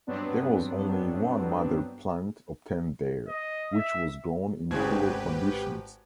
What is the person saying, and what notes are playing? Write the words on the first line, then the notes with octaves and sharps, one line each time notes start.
There was only one mother plant obtained there, which was grown in poor conditions.
G2 F#3 B3 C4 D4
D#5
E5
G#1 D2 C#3 C4 F#4 G4 B4 G#6